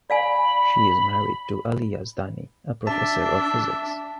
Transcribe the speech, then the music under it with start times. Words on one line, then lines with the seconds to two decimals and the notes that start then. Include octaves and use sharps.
She is married to Ali Yazdani, a professor of physics.
0.10 D5 F5 G#5 B5
2.87 D4 E5 A5